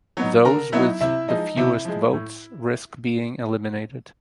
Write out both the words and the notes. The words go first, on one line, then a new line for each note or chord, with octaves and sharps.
Those with the fewest votes risk being eliminated.
F#3 B3 D#4
D3 A#4 A#5
F#3 B3 D#4 E4 E5
C3 E4 E5
F3 G#3 D#4 D#5
C3 E4 E5
F3 G#3
A2